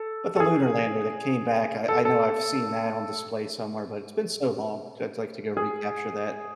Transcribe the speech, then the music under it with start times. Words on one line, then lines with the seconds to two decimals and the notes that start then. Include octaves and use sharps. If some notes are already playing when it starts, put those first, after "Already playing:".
but the Lunar lander that came back, I I know I've seen that on display somewhere, but it's been so long, so I'd like to go recapture that.
Already playing: A4
0.36 A4
0.40 G#4
1.89 A4
2.05 A4
5.57 G#4